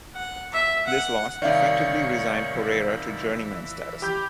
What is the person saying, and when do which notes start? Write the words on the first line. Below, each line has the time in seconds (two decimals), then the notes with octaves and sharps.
This loss effectively resigned Correira to journeyman status.
0.15 F#5
0.53 E5
0.87 F#5
1.42 C2 D#3 C#5 D5 E5 F5
2.55 E3
4.02 G4 B5 G6